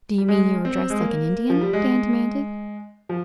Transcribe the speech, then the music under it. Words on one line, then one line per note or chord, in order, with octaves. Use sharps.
'D'you mean you were dressed like an Indian?'Dan demanded.
G3
G#3
C4
G#3
A#3
F3
G3
G#3
F3